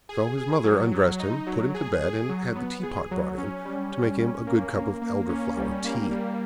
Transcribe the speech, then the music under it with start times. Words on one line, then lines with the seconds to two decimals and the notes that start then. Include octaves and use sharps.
So his mother undressed him, put him to bed, and had the tea-pot brought in, to make him a good cup of Elderflower tea.
0.09 G#4
0.38 G#4
0.64 F#3
0.92 F#3
1.20 D#4
1.47 F#3
1.74 G#4
2.01 G#4
2.29 F#3
2.55 B3
2.83 G#4
3.11 F#3
3.38 C#4
3.65 G3
3.93 C#4
4.20 C#4
4.47 A#3
4.74 A#3
5.02 A#3
5.29 C#4
5.57 G3
5.85 A#3
6.11 G3